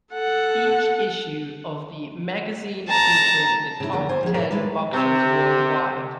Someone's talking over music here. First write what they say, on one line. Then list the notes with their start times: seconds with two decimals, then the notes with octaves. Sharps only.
Each issue of the magazine featured the top ten boxers worldwide.
0.14 A4 F#5
2.88 A5 A#5
3.80 C#3 E4
3.92 E2 D3 A#3
4.09 D#2 C5 G#5
4.23 F3 G#4
4.34 A#2 A4 A#4 C#5
4.51 G#3 E4 B4 D5
4.94 C3